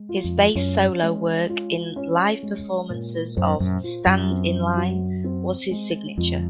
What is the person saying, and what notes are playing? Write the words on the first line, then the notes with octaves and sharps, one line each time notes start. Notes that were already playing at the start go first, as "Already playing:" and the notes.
His bass solo work in live performances of "Stand in Line" was his signature.
Already playing: G#3
F4
F2
F#2 C#4
G#3
F4
C#4
G#3
A#2
F#2 C5
F#2
F4
F#2
C4
F#3
C4
G#3
F2 F3